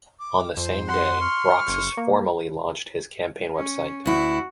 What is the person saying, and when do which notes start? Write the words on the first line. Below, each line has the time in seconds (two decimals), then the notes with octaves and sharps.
On the same day, Roxas formally launched his campaign website.
0.19 D6
0.57 F2 C5
0.88 F#5 C6
1.21 C#6 F6
1.68 F#1
1.97 A#3
3.56 C#4
4.06 D2 E4 F#4